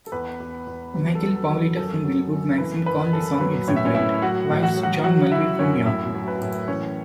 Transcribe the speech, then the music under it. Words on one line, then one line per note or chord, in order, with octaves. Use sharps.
Michael Paoletta from "Billboard" magazine called the song "exuberant", whilst John Mulvey from Yahoo!
A4
E2 B4
E2
E2
F#3 B4
A4
F#3
A4
F#3
B4
F#2 A4
F#3
F#2
E3 B4
F#2 B4
F#2 A4
F#3 B4
A2 C#5
E5
C#4 C#5
A2 E4 E5
F#3 F#4 F#5
A2
F#4 F#5
F#3
F#4 F#5
F#3 F#4 F#5
C#3 E4 E5
F#2 C#4 C#5
A2 E4 E5
F#3
B4
A2
E3 C#4 C#5